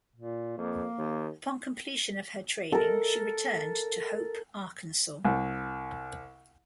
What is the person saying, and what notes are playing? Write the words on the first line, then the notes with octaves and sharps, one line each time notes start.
Upon completion of her training, she returned to Hope, Arkansas.
A#2
F2 A#3
D#2
A4 A#4
C2